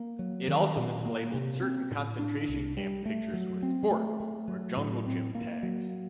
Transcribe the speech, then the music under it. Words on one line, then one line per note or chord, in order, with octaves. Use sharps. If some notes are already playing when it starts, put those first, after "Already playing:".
It also mislabeled certain concentration camp pictures with "sport" or "jungle gym" tags.
Already playing: A#3
F#3
D#3
A#2
A#3
C3
C4
A2
D4
C2
G3
A3
F#3
C4
A3
A3
F#3
A2
C4
A#3
F#3